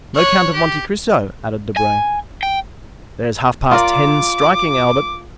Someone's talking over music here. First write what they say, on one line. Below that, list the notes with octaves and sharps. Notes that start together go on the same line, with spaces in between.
"No Count of Monte Cristo" added Debray. "There is half-past ten striking, Albert."
C#5 F#6
G4
G#5
G5
F4 A#4 D5 D6